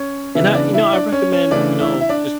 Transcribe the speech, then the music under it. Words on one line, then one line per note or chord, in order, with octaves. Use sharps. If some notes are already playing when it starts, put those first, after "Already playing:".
And I you know, I recommend, you know, just
Already playing: C#4 C#5
C#3 E3 B3 E4 E5
D4 D5
E4 E5
D4 D5
C#4 C#5
C#4 C#5
C#3 E3 A3 D4 D5
E4 E5
E5
D4 D5